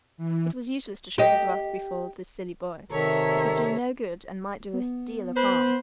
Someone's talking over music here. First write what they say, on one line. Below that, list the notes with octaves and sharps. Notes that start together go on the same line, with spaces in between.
It was useless to show his wrath before this silly boy, who could do no good and might do a deal of harm.
E3
G4 D#5
C3 D#3 A4 C#5 E5 A#5
B3
B4 C5